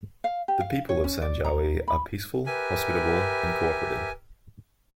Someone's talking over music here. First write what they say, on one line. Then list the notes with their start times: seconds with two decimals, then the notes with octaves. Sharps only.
The People of Sanjawi are peaceful, hospitable, and co operative.
0.24 F5
0.48 G4
0.60 F5
0.89 C#5
1.04 C#4
1.22 D5
1.44 A#5
1.88 B5
2.46 G4 A#4 B4 E5 G#5